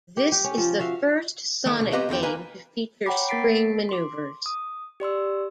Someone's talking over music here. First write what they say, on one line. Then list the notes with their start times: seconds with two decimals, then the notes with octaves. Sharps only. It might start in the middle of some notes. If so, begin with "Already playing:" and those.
This is the first "Sonic" game to feature spring maneuvers.
0.17 G4
0.32 G4
0.44 C#4
0.57 F3
0.79 F#4 E5 F5
1.65 D2 D#3 A3 G5
1.77 C#2 B2
1.92 A#3 C4 G4 B4 D#5 F5
2.09 E2 D3 G#4 G5
2.23 A#3 B4 G#5
3.06 C#5 F#5 G5 A#5 B5 D6
3.29 A#3 A#4 A6 B6 C7 D7
3.89 C6 D6
4.46 D#6
5.00 G4 D5 C6 E6